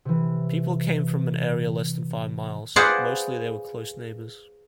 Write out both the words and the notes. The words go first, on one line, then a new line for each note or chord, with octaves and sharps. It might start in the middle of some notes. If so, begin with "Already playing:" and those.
People came from an area less than five miles; mostly they were close neighbors.
C3 E3
F4 G#4 B4 C5 D5 F#5